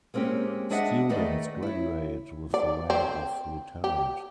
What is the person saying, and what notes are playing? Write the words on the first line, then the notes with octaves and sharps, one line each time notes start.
Students graduate with the rank of lieutenant.
G#3 A#3 C4 C#4 G4
G#3 D4 G#4 D#5 E5 F#5
D#3 A3 G#4 B4 D5 D#5
E4 C#5
D5
C4
G4